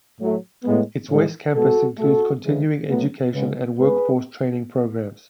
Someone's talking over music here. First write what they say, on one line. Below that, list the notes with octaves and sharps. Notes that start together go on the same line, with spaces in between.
Its West Campus includes continuing education and workforce training programs.
A2 F#3 A3
A2 G#3 B3
A2 E3 G#3
B2 G#3 B3 F#4 A4
B2 A3 F#4 A4
C#3 E3 G#3
A2 F#3 B3
C#3 G#3 B3
A2 G#3 B3 G#4 B4